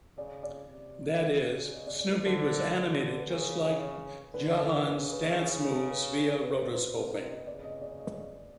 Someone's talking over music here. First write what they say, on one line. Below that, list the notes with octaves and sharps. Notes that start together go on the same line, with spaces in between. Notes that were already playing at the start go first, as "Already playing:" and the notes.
That is, Snoopy was animated just like Jahan's dance moves via rotoscoping.
C#3 D5
D5
C3
C#3
D#5
D5
D5
C5
D3 C5
A#4
D3
B4
C#3 A#4
C#5
D3 B4
A4
A#4
C#3 B4
B4
B4
B4
C5
B4
C5
B4
C3 A#4
A#4
D#5
C#3 D5
D#5
D5
D#5